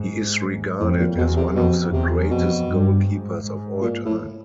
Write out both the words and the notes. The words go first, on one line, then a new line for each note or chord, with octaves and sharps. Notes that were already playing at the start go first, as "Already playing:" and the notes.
He is regarded as one of the greatest goalkeepers of all time.
Already playing: G#2
F2 A2
A#2
E2 B2
C3
F2 B2
E2 C3
F2 B2
G2
G#2
G#2
A#2
A2